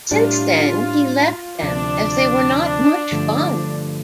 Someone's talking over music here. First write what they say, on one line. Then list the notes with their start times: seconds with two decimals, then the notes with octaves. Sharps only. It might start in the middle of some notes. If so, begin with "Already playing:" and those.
Since then, he left them as they were not much fun.
0.11 A2 G3 D4 F4 G4 D5
1.61 D2 C3 F3 D4
3.11 G2 D3 F3 A3